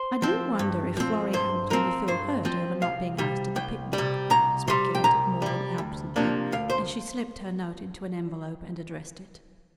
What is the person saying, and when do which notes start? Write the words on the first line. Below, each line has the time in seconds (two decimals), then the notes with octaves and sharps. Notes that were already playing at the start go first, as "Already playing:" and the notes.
"I do wonder if Florrie Hamilton will feel hurt over not being asked to the picnic," speculated Maude absently as she slipped her note into an envelope and addressed it.
Already playing: C5
0.22 F3 C4
0.59 G2
0.97 F3 C4
1.33 G2 C5
1.70 F3 C4 A#4
2.08 G2 C5
2.45 F3 C4
2.82 C2 F5
3.18 C3 G3
3.56 C2 G5
3.93 G3
3.98 C3
4.30 C2 A#5
4.68 C3 G3 C6
4.95 G5
5.04 C2 A#5
5.42 C3 G3
5.78 D2
6.16 C3 F3 A#3 D4
6.52 D2 F5
6.70 C5